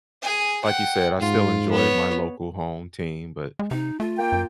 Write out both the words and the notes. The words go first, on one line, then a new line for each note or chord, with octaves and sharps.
like you said, I still enjoy my local home team, but
G#4 G#5
F#5 G5
G#2 F4
B3 C#5
G#3
C3 D#4
A3 F4
A#3 G5
F#2